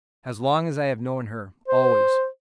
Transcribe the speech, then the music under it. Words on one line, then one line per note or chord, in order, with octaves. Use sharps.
"As long as I have known her--always."
C5